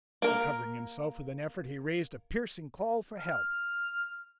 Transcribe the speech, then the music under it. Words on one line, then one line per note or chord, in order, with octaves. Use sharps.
Recovering himself with an effort, he raised a piercing call for help.
A#3 A#4
F6